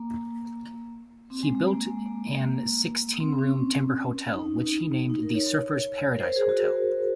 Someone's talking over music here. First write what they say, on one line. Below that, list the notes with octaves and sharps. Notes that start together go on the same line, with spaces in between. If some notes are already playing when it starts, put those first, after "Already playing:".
He built an sixteen room timber hotel, which he named the Surfers Paradise Hotel.
Already playing: A#3
C4
G#3
G#3
A#3
G#3
A#3
A#3
C4
C#4
D#4
D#4
A#4
C#5
C5
A#4
G#4
F#4
A#4